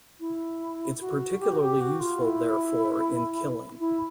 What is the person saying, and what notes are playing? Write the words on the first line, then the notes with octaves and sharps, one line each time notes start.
It's particularly useful, therefore, in killing.
E4
F#4
G4
F#4
G4
F#4
F4
E4
E4